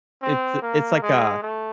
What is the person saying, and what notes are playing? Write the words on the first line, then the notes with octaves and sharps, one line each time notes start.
It's it's like a
C4
A#3
G#3
A3